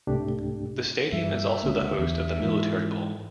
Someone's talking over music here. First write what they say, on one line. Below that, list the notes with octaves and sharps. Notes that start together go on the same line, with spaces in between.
The stadium is also the host of the Military Bowl.
C2 G#2 C3 A3 D4 G4
G2 E5
C#2 D3 A#3
E2
G#2 E3